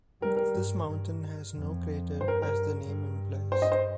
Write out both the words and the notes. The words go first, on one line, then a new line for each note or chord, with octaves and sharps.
This mountain has no crater as the name implies.
G3 A#4
A#4
G2
G2
F2
G2 C5
A#4
A#4
G2
C5
D#5
C5